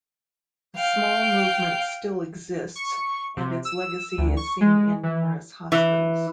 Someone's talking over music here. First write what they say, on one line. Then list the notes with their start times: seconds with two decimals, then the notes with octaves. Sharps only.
A small movement still exists and its legacy is seen in numerous hospitals.
0.76 F5 G5
2.76 C#6
3.37 C3
3.65 E6
4.18 D2
4.37 C#6
4.61 G#3
5.03 E3
5.72 E3